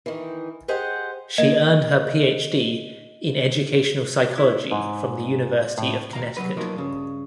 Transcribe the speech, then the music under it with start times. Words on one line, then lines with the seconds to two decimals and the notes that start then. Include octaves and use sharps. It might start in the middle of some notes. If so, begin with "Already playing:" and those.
She earned her Ph.D. in educational psychology from the University of Connecticut.
0.06 D#3 E3
0.68 G4 G#4 C5 D#5 F#5
1.38 A#3 D#5
4.38 E4
4.72 G#2
5.78 A2
6.13 D#2 F5 A#5
6.37 C2 A#2 F#3 B4
6.57 F3 F#3 A#3 B3 D#4
6.76 G2 C#3